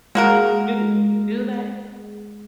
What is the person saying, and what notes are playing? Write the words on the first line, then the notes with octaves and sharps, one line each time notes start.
Is it Do they?
G#3 A#3 F#4 A#4